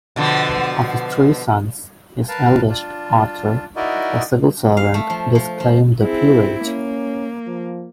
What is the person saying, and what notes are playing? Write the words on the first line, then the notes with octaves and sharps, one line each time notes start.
Of his three sons, his eldest, Arthur, a civil servant, disclaimed the peerage.
B2 D3 F3
A#4 B4 F5 A5
D4 F4
D#4 E4 F#4 A#4 D5 D#5
F5
A3
F3
F3
F3
C4 E4 G#4
A#3 C#4
F3